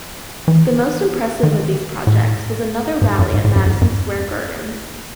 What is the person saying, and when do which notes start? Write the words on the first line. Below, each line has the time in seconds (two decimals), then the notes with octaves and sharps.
The most impressive of these projects was another rally at Madison Square Garden.
0.48 E3
1.43 D#3
2.07 A2
3.02 G#2
3.19 F#2
3.34 G#2
3.45 A2
3.56 F#2
3.66 F#2
3.81 F#2